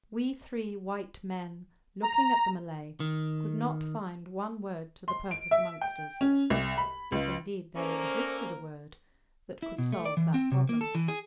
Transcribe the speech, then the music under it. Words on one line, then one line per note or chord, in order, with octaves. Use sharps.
We three white men, looking at the Malay, could not find one word to the purpose amongst us--if indeed there existed a word that could solve that problem.
A#5
D#3
C6
D7
E5
G5
C#4
C2
B5
C#2
A#3 C#4 A4 A#4 C5 D5
E4
B2
A3
D5
E3
C4
C3
A#3
A4
E3
G#4